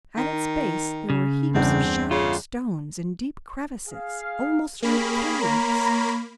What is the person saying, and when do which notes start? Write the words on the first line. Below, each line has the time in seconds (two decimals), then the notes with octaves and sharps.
At its base there were heaps of shattered stones, and deep crevices almost like caves.
0.17 D#3
1.10 C#3
1.54 G1 E2 C4 D4
2.11 C#3 F4
3.87 G#4 F5
4.82 A#3 C#4 G4 G#4 B5
5.40 C#5 A#5